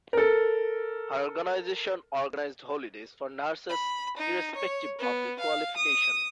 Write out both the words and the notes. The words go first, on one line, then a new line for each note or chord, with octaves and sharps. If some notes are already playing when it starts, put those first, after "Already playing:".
Her organisation organised holidays for nurses irrespective of their qualification.
A4 A#4
B5
D#4
C#5
B3
F5
D#6